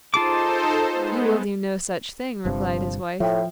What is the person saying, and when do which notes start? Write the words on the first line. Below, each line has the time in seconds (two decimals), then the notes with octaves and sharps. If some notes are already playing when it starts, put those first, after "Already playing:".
'You will do no such thing,' replied his wife.
0.14 D#4 F4 G#4 A4 C5 A5 D6
0.92 G#3 B3
2.45 G1 G2 C3 F3
3.20 A2 F3 E5 G5